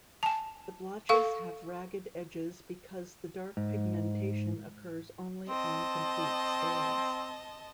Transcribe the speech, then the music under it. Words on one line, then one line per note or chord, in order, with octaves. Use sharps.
The blotches have ragged edges because the dark pigmentation occurs only on complete scales.
G#5 A5
A4 F5 C#6
G#2
C4 D#5 A5